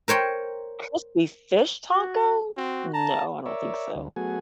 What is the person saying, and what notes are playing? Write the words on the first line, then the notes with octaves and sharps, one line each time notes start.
Crispy fish taco? No, I don't think so.
A#4 C5 C#5 G5
F#4
C4 F#4
A5 A#5
A#4 C#5 D5 E5
D2
F#3 A3 B3 F#4 G#4 G#5